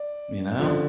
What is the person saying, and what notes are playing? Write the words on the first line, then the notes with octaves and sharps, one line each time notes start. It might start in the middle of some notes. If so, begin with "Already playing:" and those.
you know?
Already playing: D5
D3 F3